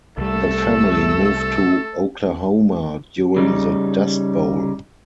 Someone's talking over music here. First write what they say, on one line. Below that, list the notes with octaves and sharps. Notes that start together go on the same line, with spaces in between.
The family moved to Oklahoma during the Dust Bowl.
C2 G3 A3 A4 E6
C#3 G3 D#4